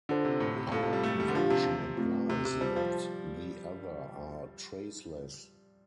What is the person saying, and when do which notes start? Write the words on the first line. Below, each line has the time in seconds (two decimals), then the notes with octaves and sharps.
Our convention implies that the other are traceless.
0.09 D3 D4 F4 A4 C5 A5
0.25 C3
0.40 A2
0.56 C3
0.72 A2 F4 A4 F5 A5
0.83 C3
0.93 G3
1.03 A3
1.20 G3
1.28 D3
1.35 F3 D4 G4 F5 A5
1.50 C3
1.97 A3 C4 F4
2.30 C3
2.45 C3
2.61 G3 F4 C5 A5
2.76 F3